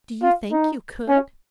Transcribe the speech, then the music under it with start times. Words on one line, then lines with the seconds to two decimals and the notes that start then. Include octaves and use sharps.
"Do you think you could?"
0.23 F4
0.52 D#4
1.09 C#4